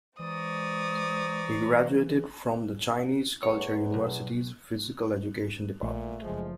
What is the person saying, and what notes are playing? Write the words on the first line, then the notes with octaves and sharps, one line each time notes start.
He graduated from the Chinese Culture University's physical education department.
E3 G#3 C5 D5 A#5 C#6 D#6
E2 C#5
B1
A#1 A#2 A3
F#1 F3 G#3